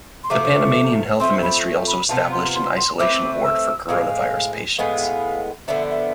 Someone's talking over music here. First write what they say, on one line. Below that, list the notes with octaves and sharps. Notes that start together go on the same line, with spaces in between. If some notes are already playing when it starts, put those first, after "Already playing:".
The Panamanian health ministry also established an isolation ward for coronavirus patients.
C6
C3 F3 A3 D6
F3 A3 C4 C6
B5
B5
C3 F3 B3 F4 A5
C6
C6
C6
A3 C4 E4 B4 D6
E6
A2 G#3 C4 F5
A2 G#3 B3 F5
D3 F3 B3 D4 E5
E5